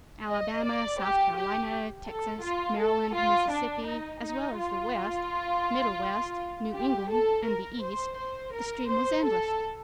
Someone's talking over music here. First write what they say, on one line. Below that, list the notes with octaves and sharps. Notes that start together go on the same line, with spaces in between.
Alabama, South Carolina, Texas, Maryland, Mississippi, as well as the West, Middle West, New England and the East-the stream was endless.
D#5
D5
G4
G4
A4
F4
A4
F4
D4
D#4
D#4
F4
G4
A4
A#4
C5
C5
A#4
C5
A4